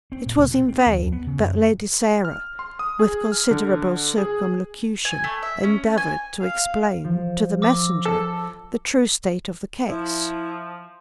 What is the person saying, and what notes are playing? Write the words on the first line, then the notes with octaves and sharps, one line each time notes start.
It was in vain that Lady Sarah, with considerable circumlocution, endeavoured to explain to the messenger the true state of the case.
C4
A#2
C#2
B2
C4
D#2
D#2
B3
C#3
F#2
F6
C6
D#6
G#4
F6
D3
G#4
G#5
A3
E5
C#4
G#5
F5
F3
D6 E6 A#6
A4
F3 E4